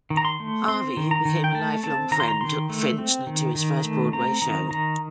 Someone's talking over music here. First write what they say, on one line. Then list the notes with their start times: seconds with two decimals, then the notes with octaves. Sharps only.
Harvey, who became a lifelong friend, took Fichtner to his first Broadway show.
0.10 D#3
0.17 A#5
0.25 C6
0.40 A3
0.68 C4 C6
0.97 D#3
1.11 A#5
1.25 D#3
1.44 G5
1.54 A3 A5
1.83 C4 A5
2.12 D#3 A#5
2.20 C6
2.28 A#5
2.41 D#3 C6
2.70 A3
2.98 C4
3.27 D#3
3.55 D#3
3.84 A3
4.13 C4 A#5
4.42 D#3 A#5
4.71 D#3 A#5